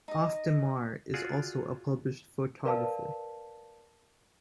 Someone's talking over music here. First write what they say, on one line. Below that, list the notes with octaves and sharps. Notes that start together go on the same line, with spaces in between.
Auf der Maur is also a published photographer.
D#4 D#5
F4 F#4 G#4 D5
A#4 B4 D5 F5 A5